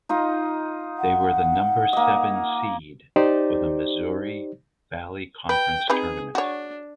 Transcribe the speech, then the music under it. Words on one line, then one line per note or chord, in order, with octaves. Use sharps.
They were the number seven seed for the Missouri Valley Conference Tournament.
D#4 F4 D#5
F#5
A#3 D#5
D#4 G4 C5 D5
B4 G5
C4 D#4 G#4 B4
D4 F#4 C#5